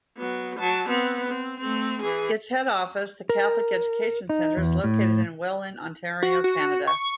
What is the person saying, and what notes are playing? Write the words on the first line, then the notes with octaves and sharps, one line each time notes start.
Its head office, the Catholic Education Centre, is located in Welland, Ontario, Canada.
F#3 B3
F#3 A5
B3 C4
C4
A3 C4
E3 G#4
A#4
D#4
E2
A2
F#4
F#4
C#6